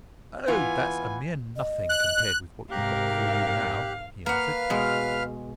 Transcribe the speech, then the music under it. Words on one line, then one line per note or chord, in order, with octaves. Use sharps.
"Oh! that's a mere nothing, compared with what you've got before you now," he answered.
E3 B3 F4 G#5
D#5
F#6
G#2 C3 G4 A#4 F5 F#6
A#3 B4 F5 F#5 F6
B2 G#3